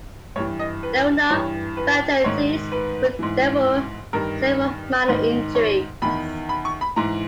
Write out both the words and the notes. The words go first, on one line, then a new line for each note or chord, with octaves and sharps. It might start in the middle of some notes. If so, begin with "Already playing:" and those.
There were no fatalities, but there were several minor injuries.
G2 E3 C#5
D#5
B4
G2 E3 C#5
B4
G#2 D#3 C#5
B4
G#2 E3
G2 D#3 A#4
G#2 D#3 B4
C#5
E2 D#3 B5
B5
C#6
B5
G#2 E3 A#5